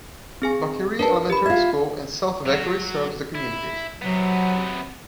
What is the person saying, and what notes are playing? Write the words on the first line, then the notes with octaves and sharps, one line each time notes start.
Vacherie Elementary School in South Vacherie serves the community.
C4 G#4 G#5
D4 A#4 B4 A5
G4 B5
F4 E5 G#6
F#3
E4
C3 F#3 B3